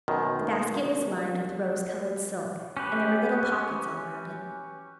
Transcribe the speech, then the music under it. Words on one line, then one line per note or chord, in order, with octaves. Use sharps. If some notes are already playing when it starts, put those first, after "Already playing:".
The basket was lined with rose-colored silk, and there were little pockets all around it.
F#2 B2 D#3
C#4 G4 B4